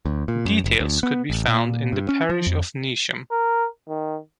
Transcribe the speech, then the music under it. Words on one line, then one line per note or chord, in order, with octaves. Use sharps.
Details could be found in the parish of Neasham.
D2
A#2
F#2
F#1
D2
B3
A1
A#2
G2
C#4
F3
F2
A#4
D#3